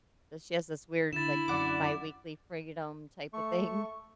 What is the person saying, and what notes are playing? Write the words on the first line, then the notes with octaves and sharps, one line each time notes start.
So, she has this weird, like, biweekly freedom type of thing.
D3 E4 A6 E7
F#2 D3 D5 F#5 D6
A3 C#6